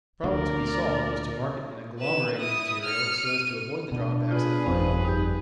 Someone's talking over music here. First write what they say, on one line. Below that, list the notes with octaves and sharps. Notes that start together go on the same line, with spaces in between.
The problem to be solved was to market an agglomerated material so as to avoid the drawbacks of fine ore.
D2 A#4 D5
B4 E7
E4 D#6
F6 C#7
D#7
B2 D4
F4 G#4 B4 D5
G1 F2 F3 C4 D#4
G3 D#4 G6